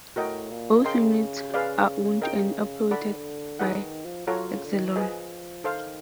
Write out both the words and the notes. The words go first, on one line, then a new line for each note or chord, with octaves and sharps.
Both units are owned and operated by Exelon.
A2 F#4 A#4 D#5 G5
A#2
C#3 A#4 D#5 G5 C6
G#4 B4 D5 F5
A#4 D#5 G5
D3 A4 D5 F#5 B5
D#3
D3
E3 D#4 G#4 B4 D#5 F#5
D3
D#3
F3
F#3 F4 A4 C#5 F#5 A#5
C#3
D3
D#3
E3
F3 G#4 B4 D#5 G#5
D#3 A4 C5 F5